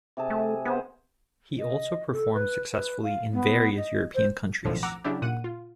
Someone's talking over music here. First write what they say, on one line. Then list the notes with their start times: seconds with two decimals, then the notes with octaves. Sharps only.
He also performed successfully in various European countries.
0.17 C3 G#4 A5
0.30 A3
0.65 B3 G#4 C5
1.59 D#5
2.12 A4
2.34 B4
2.72 B4
3.03 F5
3.33 B3
3.77 D#5
4.15 C5
4.65 B1 F2 A2 D3 D#3 F3
4.83 F#5 A#5 D6 E6
5.04 C#3 F#3 D4 E4 G4
5.22 A#2 F#5 D#7
5.44 F4